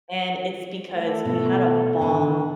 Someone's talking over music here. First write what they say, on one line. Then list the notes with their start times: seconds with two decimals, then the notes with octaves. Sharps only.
And it's because we had a bomb
0.91 A3 A4
1.25 B2
2.01 D3